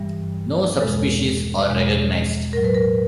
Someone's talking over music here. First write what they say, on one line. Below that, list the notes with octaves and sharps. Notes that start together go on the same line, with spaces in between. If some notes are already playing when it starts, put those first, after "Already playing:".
No subspecies are recognized.
Already playing: G2 E3 G3
E2 B2 G#3 A4
E2 B2 G#3
A2 F#3 A#4
B4
A#4